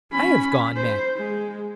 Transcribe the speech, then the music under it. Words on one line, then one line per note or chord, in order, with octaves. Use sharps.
I have gone mad....
C#4 B5
C5
G#3